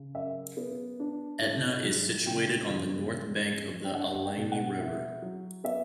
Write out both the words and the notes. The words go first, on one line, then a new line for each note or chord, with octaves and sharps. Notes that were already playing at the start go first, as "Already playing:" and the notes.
Etna is situated on the north bank of the Allegheny River.
Already playing: C#3
F#2 E5
B3
D4
A2
F#3
C#3 G5
E2
C#4
C#4
G5
D4 F#5
G5
B2
F#5
E4
F#3
B3 E5